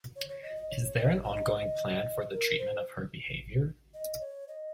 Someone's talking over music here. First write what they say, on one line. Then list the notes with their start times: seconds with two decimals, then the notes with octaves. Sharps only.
Is there an ongoing plan for the treatment of her behaviour?
0.16 C#5
0.29 C#5
0.43 D#5
0.56 D#5
0.70 C#5
0.83 C#5
0.97 D#5
1.10 C#5
1.24 D#5
2.32 A#4
2.58 C5
3.94 D#5
4.20 C#5
4.48 D#5